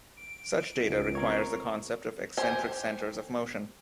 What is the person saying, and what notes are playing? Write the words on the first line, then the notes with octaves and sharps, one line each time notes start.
Such data requires the concept of eccentric centers of motion.
D7
C#2
C4 A#4 C#5
G4 C5 G#5